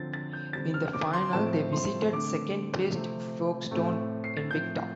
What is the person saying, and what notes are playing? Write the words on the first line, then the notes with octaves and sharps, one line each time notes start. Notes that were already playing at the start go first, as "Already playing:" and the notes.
In the final, they visited second-placed Folkestone Invicta.
Already playing: D3 F3 C4 A6
A6
G6
D3 G3 C4 A6
F6
D6
C6
A2 F3 A3 C4 A5
C6
D3 A3 C4 D6
C3 F3 A3 C4
A2 A3 C4
C7
A6
A2 F3 C4 G6